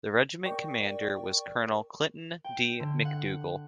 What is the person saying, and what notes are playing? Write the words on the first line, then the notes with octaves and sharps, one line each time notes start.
The regiment commander was Colonel Clinton D. MacDougall.
A#4 D5 G5 C#6
G5
D3
F#5